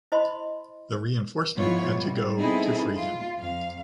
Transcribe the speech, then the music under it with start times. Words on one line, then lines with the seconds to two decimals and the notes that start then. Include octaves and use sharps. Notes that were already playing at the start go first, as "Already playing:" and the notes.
The reinforcement had to go to free him.
0.12 E4 C5 D#5 B5 C6
1.58 G#2 F3 B3 E4 F4 C#5
1.94 G3
2.38 B3 C4 D#4 E4 G#4 A4
2.96 F4
3.38 F2 F5